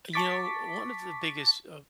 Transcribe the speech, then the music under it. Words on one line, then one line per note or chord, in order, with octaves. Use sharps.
You know, one of the biggest, uh,
A5 C#6 D6 A6 B6